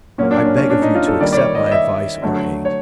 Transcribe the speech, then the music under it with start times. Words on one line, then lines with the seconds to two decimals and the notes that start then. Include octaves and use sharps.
I beg of you to accept my advice or aid.
0.18 A#2 F#3 A#3 C#4
0.31 D4
0.44 C#4
0.57 C#4
0.70 D4
0.82 D#4
0.95 F4
1.08 A4
1.20 D#3 G3 A#3 D5
1.32 D5
1.37 C#5
1.55 D#5
1.66 D#5
1.72 E5
2.22 D3 F#3 A3
2.65 C#5